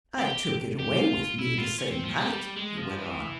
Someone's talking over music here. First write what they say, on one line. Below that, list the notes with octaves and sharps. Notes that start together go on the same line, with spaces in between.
"I took it away with me the same night," he went on.
G4
G4
F4
E4
F4
C#4
C4
F3
G3
G#3
F3
E3